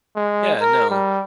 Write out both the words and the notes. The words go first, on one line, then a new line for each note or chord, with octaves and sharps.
Yeah. No.
G#3
A#4
G3